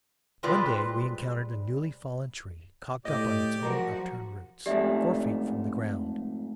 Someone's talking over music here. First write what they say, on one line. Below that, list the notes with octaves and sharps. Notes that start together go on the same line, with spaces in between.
One day we encountered a newly fallen tree, cocked up on its own upturned roots, four feet from the ground.
C3 G3 G#3 F4 B4 D5
A2 G4 D5 D#5
F3 F#3 F#4 A#4
F2 G#2 A3 G4 D5 E5